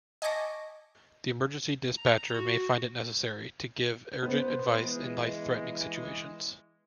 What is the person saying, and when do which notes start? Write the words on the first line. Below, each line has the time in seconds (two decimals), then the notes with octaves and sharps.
The emergency dispatcher may find it necessary to give urgent advice in life-threatening situations.
0.22 D#5 G#5 A5 C#6 D6 A#6
1.97 A#5
2.33 F#4
4.23 B3 C5
4.79 E3 G#3